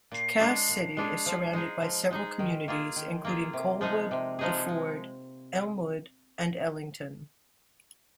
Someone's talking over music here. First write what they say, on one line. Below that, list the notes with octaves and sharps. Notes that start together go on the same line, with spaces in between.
Cass City is surrounded by several communities including Colwood, Deford, Elmwood and Ellington.
A#2
G#3 D4 G#4
A#2
G#3 D4 G#4
F3
G#3 D#4 G#4
F3
G#3 D#4 G#4
D#3
A#3 F4 G#4
D#3
A#3 F4 G#4
C3
F3 G#3 D#4 G#4
C3
F3 G#3 D#4 G#4
G#3